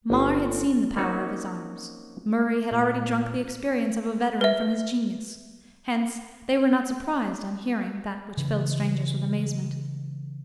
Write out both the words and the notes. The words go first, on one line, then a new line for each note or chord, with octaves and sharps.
Mar had seen the power of his arms; Murray had already drunk the experience of a veteran from his genius; hence they were not surprised on hearing that which filled strangers with amazement.
G1 C5
A#3 C4 C#4 D#4 F#4
A#2
B4 E5
C#3 E3